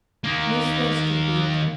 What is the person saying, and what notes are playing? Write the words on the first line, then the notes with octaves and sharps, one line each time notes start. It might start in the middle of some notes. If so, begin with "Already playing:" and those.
Miss Westerfield.
D#3 A#3